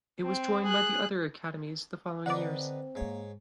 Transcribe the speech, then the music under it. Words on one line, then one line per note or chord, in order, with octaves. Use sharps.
It was joined by the other academies the following years.
C4
G#4 F#6
D3 C4 D4 D#4 B4 D5 F#5
G#2 A#3 C#5